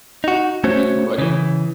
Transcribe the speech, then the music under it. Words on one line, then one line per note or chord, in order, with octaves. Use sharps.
You too, buddy.
D#4 F#4
A3 C#4 F#4 C5 C#5
C#3 E3